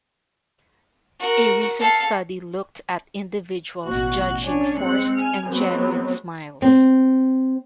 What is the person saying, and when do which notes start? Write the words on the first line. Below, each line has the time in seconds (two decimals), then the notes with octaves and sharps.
A recent study looked at individuals judging forced and genuine smiles.
1.19 F#4 A#4
1.79 A4 F5
3.85 A1 B2 F#4 F#6
4.41 C#4 D4 C#5 G#5
4.77 G#3 C4 F#6 C#7
5.16 G#5 F6
5.47 F#3 G#3 B3 C4
6.62 C4